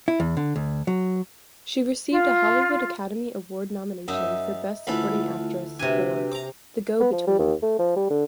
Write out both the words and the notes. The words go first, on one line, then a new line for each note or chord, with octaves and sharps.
She received a Hollywood Academy Award nomination for Best Supporting Actress for "The Go-Between".
E4
E2
D3
D2
F#3
F4
F#2 D#4 E5
D2 E3 A3 E4 F4 A4 B5
C3 D4 F#4 B4 G#5
A#5 D6
B3
F3
G3
D#2
A3
F3
G3
D3